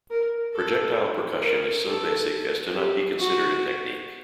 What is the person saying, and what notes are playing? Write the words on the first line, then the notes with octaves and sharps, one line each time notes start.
Projectile percussion is so basic as to not be considered a technique.
A#4
A4
A#4
A4
G4
F#4